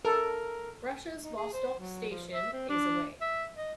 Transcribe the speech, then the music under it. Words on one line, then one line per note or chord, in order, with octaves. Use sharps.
Russia's Vostok Station is away.
A4 A#4
D#4
G#4
C5
F#3
F3
E5
C4
D4
E5
D#5